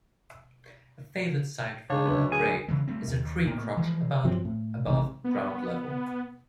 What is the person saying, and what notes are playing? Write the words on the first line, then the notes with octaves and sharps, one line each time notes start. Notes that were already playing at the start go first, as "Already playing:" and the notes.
A favoured site for a drey is a tree crotch about above ground level.
C#3 D4 G#4 C#5 F5
D2 F#3 B4
G#4 G#5
C#3 E3 G#3
G3 A3 C4
D#2
A2 A#3 B3
E3 F3 G#3
G2 F3 F#3 C4
A2
A1 C3
B3